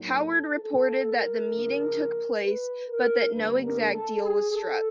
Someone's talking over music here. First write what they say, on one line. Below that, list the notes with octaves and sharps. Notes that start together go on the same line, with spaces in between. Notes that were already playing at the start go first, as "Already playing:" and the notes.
Howard reported that the meeting took place but that no exact deal was struck.
Already playing: A2 F#3 A#3 D#4
A4
A4
A#4
C#3 F3 A#3 D4
B4
A#4
G2 D3 G3 A#3 D4 B4
A#4
A4
G#4
A4